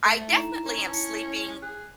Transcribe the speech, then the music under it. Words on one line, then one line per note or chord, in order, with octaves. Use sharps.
I definitely am sleeping
A3
D#4 E4 A#5 E7
C#4
E4 A5 C#7
G#4 F#6